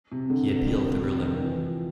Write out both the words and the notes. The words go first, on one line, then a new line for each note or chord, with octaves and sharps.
He appealed the ruling.
C3
D3
D3
D#3
C3
D3
D#3
E3
F3